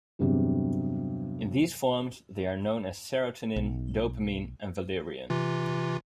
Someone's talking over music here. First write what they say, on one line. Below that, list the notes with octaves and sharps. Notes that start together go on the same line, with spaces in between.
In these forms, they are known as Serotonin, Dopamine, and Valerian.
E2 G2 C3 F#3
B1
C3 E3 F4